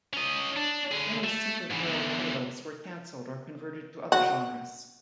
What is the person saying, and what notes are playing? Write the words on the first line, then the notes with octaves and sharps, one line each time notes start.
Many superhero titles were cancelled or converted to other genres.
C#4 D#5
D4
D3 G#4
A3
G#2 E3
E2 D3
F#4